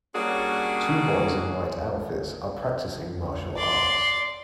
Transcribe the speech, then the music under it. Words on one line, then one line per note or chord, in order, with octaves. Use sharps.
Two boys in white outfits are practicing martial arts.
G3 A#3 C#4 D4 F#4 G#4
D5 C6